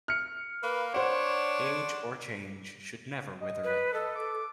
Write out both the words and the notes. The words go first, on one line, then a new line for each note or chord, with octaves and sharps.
Age or change should never wither it.
F6 C#7
A#3 B4
D4 C5 C#5 F#5
D#5
B4
A4 D#5
D6